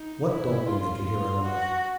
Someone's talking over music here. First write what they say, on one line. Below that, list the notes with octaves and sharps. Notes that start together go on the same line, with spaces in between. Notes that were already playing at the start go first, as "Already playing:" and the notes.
What don't we make a hero of?
Already playing: D#4
E4
F4
F4
F#4